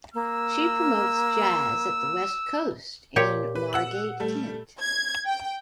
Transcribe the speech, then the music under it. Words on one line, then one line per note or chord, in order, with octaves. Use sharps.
She promotes Jazz at the Westcoast in Margate, Kent.
A#3 E6
A#2 G4 C#5
B4
F#5 E6 F#7
G3 A3
G#6
G5